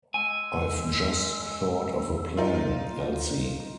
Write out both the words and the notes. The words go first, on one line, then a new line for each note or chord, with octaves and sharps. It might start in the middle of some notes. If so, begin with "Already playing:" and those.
I’ve just thought of a plan, Elsie.
G#3 G#5 E6
D#4 F4